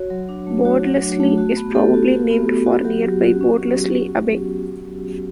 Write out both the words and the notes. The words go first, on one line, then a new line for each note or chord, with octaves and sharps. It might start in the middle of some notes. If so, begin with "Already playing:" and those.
Bordesley is probably named for nearby Bordesley Abbey.
Already playing: F#4 C#5
F#3
D4
A3
F#4 C#5
F#3
D4
A3
F#4
B3
G4
B3 A4
F#4
F#4
B3
B3
F#4
F#3 G4
F#3
F#4
C#4